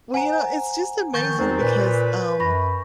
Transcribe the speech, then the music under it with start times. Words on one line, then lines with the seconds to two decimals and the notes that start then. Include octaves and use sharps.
Well, you know, it's just amazing because, um,
0.14 C5 F#5 G#5 A#5
1.14 D#3 F3 C#6 G6 A6
1.39 E2 C4 D#4 A#4 C5
1.60 A#2 B4
2.40 F#2 B5 C#6 A#6